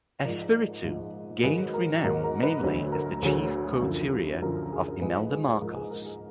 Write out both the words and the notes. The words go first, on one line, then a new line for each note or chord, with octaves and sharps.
Espiritu gained renown mainly as the chief couturier of Imelda Marcos.
G#2 F3 A#4 D5
G#2 F3
G#2 D#3 F#3 G#4 B4
A#4
G#2 D#3 F#3 A#4
A#4
B4 D#5
D2 D3 F#3
A#4
D2 D3 F#3 G#4
F#2 D3 F3
F#2 D3 F3 A#4
G#4
G#2 F3 G#4 B4
G#4 B4
G#2 F3 A#4
G#4
A#4
G#4